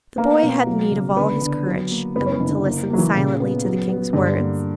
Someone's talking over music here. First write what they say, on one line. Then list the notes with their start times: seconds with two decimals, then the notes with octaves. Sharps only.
The boy had need of all his courage to listen silently to the king's words.
0.17 A#3 B3
0.43 B2
0.67 F#3
0.92 C#3
1.16 D3 B3
1.41 D3
1.66 F#3
1.91 A#3
2.15 F#1 B3
2.26 C#4
2.32 B3
2.40 F#1
2.49 D3
2.65 A#3
2.90 F#3 A#3
2.98 E3
3.14 A#2 C#3
3.40 B3
3.65 F#3
3.89 B3
4.13 G2 D3
4.39 A#3